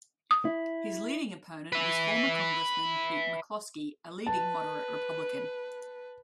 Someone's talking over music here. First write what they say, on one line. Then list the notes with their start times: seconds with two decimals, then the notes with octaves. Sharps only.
His leading opponent was former congressman Pete McCloskey, a leading moderate Republican.
0.31 D#6
0.45 E4
1.72 B4 E5
4.27 B4 A5